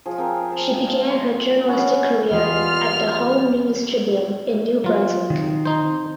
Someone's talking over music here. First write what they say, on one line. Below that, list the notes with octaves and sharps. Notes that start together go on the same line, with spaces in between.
She began her journalistic career at the "Home News Tribune" in New Brunswick.
F3 G#4
C4 A#4
A5
C6
B3 C#4 F#5
D#2 E3 G3 B3 F4 G#4 F6
F#3 F4
D#3 C4
D#4 C5